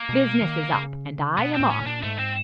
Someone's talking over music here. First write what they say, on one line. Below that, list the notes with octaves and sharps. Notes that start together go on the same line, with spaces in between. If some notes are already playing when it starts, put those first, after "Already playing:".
"Business is up and I am off!"
Already playing: A#3
B2
D#3
C#3
B2 B3
A2 C4
C#4
A#2
D4
G#2 A3
C4